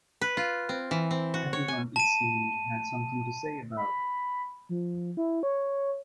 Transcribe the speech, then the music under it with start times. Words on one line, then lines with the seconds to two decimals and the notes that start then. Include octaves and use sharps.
Everyone, it seemed, had something to say about it.
0.21 B4
0.37 F4
0.69 C4
0.91 E3
1.11 C4
1.34 F#4
1.53 C#5
1.68 G#5
1.96 A5 D#7
3.77 B5
4.69 F3
5.17 E4
5.43 C#5